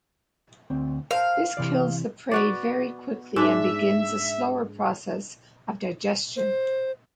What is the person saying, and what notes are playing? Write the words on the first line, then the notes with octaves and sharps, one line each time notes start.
This kills the prey very quickly and begins a slower process of digestion.
D2 C4
A#4 C5 F5 A5
C3 E3 D5
B3 F#4 D5
G#2 D4 E5
C5